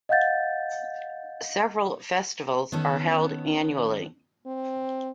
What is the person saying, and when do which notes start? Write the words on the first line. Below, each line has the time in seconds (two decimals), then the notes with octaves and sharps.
Several festivals are held annually.
0.09 D#5 F5 F#5 G6 A6
2.72 D#3 B3 C#4 A4
4.46 C4